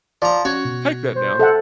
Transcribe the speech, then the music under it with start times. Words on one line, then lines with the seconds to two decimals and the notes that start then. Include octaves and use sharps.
take that down.
0.22 F3 D5 A#5
0.45 C#4 F#4 C#5
0.65 B2
1.16 C5
1.39 A4 E5 F#5